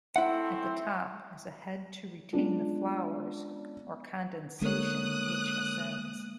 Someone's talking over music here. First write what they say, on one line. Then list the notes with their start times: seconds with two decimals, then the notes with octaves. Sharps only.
At the top is a head to retain the flowers, or condensation, which ascends.
0.16 A2 A3 C4 E4 E5 F#5
2.33 G#3 B3 C#4 D4 F4
4.62 D3 G#3 A#3 B3 A#4 C#5 D#6 F#6